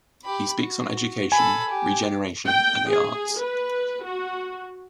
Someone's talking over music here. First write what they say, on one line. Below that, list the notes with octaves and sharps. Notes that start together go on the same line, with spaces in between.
He speaks on education, regeneration and the arts.
G4 B5
F#4
A4 G#5 B5
G4
G5
G#4
B4
F#4